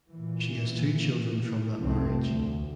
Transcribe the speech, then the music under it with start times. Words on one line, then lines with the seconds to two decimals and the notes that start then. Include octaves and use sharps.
She has two children from that marriage.
0.11 A#2 E3
1.79 C2 F2 A3 C4
2.29 D2